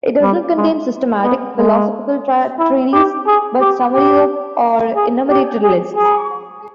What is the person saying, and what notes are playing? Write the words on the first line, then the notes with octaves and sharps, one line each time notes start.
It does not contain systematic philosophical treatises, but summaries or enumerated lists.
G3
G#3
B3
G#3
E4
G4
G#4
G4
G4
G#4
G4
G#4
G#4